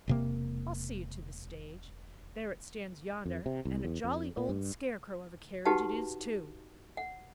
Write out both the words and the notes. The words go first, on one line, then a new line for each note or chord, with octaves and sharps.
"I'll see you to the stage. There it stands yonder--and a jolly old scarecrow of a carriage it is, too!"
E1 C3 A#3
F2
C3
C2
E2
F2
A#2
G2
D#4 F#4 G4 B4 F#5 A5
F#5